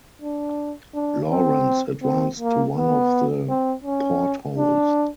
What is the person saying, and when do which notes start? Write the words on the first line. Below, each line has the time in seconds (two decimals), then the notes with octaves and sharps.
Lawrence advanced to one of the portholes.
0.22 D4
0.94 D4
1.30 C4
2.03 C4
2.40 A#3
2.76 B3
3.49 C4
3.84 C#4
4.57 D4